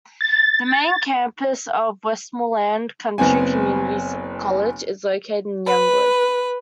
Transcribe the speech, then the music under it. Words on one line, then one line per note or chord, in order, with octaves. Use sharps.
The Main Campus of Westmoreland County Community College is located in Youngwood.
A6
F#1 B3 C4 G#5
B4